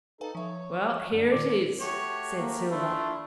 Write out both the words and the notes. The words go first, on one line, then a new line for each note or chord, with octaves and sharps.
"Well, here it is," said Silver.
D#4 A4 B4 F5 G#5
F3 C#5 E5
F#2 D3
A#2 D#3 D6
A3 F#4 G4 C#5
A#3
A3 D4 E4 F4